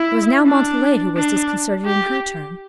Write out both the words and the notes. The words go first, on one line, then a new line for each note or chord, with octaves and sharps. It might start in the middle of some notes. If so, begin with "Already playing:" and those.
It was now Montalais who was disconcerted in her turn.
Already playing: E4
D4
D4
G4